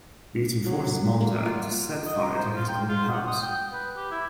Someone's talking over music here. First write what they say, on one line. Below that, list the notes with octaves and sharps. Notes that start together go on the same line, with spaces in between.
Beatty forces Montag to set fire to his own house.
F#3
A#3
F4
D#5
A#5
C5
F4
G5
F4
F#5
D#6
G5
B4
G4
E4